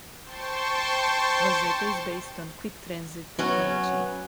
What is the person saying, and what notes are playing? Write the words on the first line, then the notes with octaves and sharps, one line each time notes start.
Rosetta is based on QuickTransit technology.
C5 G5 A5 C6 C#6
F#3 B3 C#4